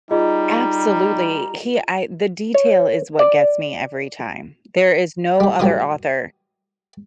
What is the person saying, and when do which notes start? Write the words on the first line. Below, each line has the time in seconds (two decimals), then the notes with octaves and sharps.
Absolutely. He I the detail is what gets me every time. There is no other author
0.11 G3 D#4 F4 G#4 D#5 A#5
2.54 C#5
3.19 D5
5.40 G3 G4
5.59 A1 F#3 G3 D#4 C6 D#6